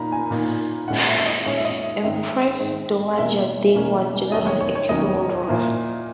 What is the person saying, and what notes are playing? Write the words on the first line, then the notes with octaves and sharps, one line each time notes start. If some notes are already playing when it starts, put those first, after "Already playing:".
Empress Dowager Deng was generally a capable ruler.
Already playing: A#2 A#3 D#4 A#5 B5
G#5
A#2 A#3 D#4
A#2 G#3 C#4 E4 F#5
E5
E5
D#5
A#2 G#3 C#4 E4 C#5
E5
D#5
E5
G#1 G#2 D#3 G#3 E5
G#1 G#2 D#3 G#3
E2 B2 A#3 C#4 E4 E5
E2 B2 A#3 C#4 E4
E1 D#2 D#3 F#3 C#4 D#5
C#5
C#5
C#5
E1 D#2 D#3 F#3 C#4 D#5
A#2 A#3 E4